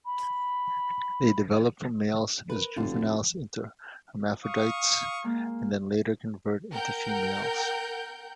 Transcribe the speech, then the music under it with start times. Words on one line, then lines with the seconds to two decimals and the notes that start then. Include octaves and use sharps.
They develop from males as juveniles into hermaphrodites and then later convert into females.
0.05 B5
2.50 A#4 B4
2.76 F1 D3 F4 F#4
4.43 F5 C#6 D#6
5.24 G#3 A#3
6.74 A#4 F#5 G5 G6